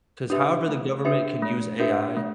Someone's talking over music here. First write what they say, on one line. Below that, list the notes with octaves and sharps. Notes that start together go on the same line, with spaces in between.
'Cause however the government can use AI,
D4 G4 B4 E5
A3
D4 G4 B4 E5
A3
D4 G4 B4 E5
A3